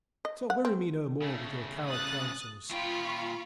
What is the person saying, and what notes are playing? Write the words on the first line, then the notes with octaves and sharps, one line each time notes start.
So weary me no more with your coward counsels.
D#5
F#5
C4
C#3 A3
D#6 F#6 A6
A#2 F4 G5 B5 C#6